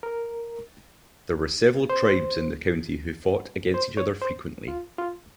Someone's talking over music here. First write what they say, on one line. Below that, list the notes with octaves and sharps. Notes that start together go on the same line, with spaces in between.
There were several tribes in the country who fought against each other frequently.
A#4
C5
C5
C#5
C5
F4
F4